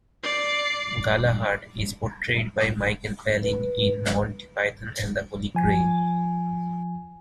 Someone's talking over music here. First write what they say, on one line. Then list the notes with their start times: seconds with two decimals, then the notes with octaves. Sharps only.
Galahad is portrayed by Michael Palin in "Monty Python and The Holy Grail".
0.24 D5 C7
3.43 B4
5.55 F3 G#5